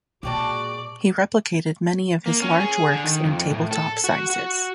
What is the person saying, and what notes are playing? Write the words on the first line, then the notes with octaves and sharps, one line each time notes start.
He replicated many of his large works in table-top sizes.
A#2 G#3 F#4 D5 G5 A5
A#3
C#4
G#4
D3
D#3
F2
A2
A4
F#4
F#4